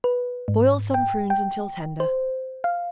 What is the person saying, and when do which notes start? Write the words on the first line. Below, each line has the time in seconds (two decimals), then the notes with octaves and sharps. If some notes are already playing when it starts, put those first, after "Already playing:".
Boil some prunes until tender.
0.04 B4
0.48 G#2
0.94 G5
1.30 G5
2.00 C5
2.64 F5